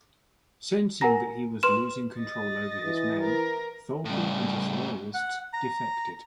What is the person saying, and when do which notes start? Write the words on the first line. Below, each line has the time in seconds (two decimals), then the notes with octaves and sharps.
Sensing that he was losing control over his men, Thorkell and his loyalists defected.
1.01 A#4 F#5 G#5 A#5 A#6
1.63 B4 C6 F6 E7
2.20 D#5 A6
2.84 E3
3.21 A#4
4.05 A2 C#3 G3
5.14 F#5
5.53 A#5